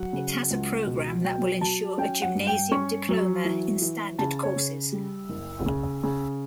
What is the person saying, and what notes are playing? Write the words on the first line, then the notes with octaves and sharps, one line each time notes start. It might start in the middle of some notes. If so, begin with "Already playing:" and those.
It has a program that will ensure a gymnasium diploma in standard courses.
Already playing: F#3 F#5
C#3
C#2
B2
F#3 G5
F#3 A5
C#4 G5
F#5
G2
G5
C#4 C#6
F#3
E3
E3
C#3 A5
C#5
C#3
G3
F#1
C#3
C#3